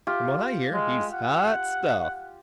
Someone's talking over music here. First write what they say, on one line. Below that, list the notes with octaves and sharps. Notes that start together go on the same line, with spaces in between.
"From what I hear, he's hot stuff!"
F4 G4
G#3
F#5